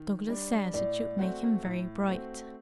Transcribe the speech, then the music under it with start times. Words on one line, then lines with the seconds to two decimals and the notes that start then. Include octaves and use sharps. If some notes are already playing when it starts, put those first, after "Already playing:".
Douglas says it should make him very bright.
Already playing: D#3
0.28 G3 D4
0.73 A2 D5
1.19 A3 C4 F#4 C5
1.63 A2
2.08 A3 C4 F#4 C5